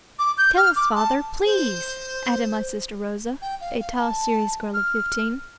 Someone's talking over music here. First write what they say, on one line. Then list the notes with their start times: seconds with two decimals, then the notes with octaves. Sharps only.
"Tell us, father, please," added my sister Rosa, a tall, serious girl of fifteen.
0.19 D6
0.38 G6
0.57 F6
0.76 D6
0.95 A5
1.45 C5
3.42 G5
3.61 F5
3.79 F5
3.98 A5
4.74 F6